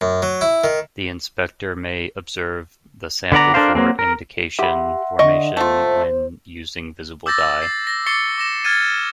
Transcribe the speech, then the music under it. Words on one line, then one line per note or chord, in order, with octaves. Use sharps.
The inspector may observe the sample for indication formation when using visible dye.
F#2
F#3
E4
D#3
D3 B3 D5 A#5
D4 A4 A#4 C5 F5
F#3 A#3 C4
A#4
G4 E5 F#5 B5 C6
D3 D#5 C#6
A3 F4 C5
D6 E6 G6 A6 A#6
A6 C7
A#6
C#6 D6 A6 C7 C#7 G7
D6 A#6 E7
F6 G#6 A6 D#7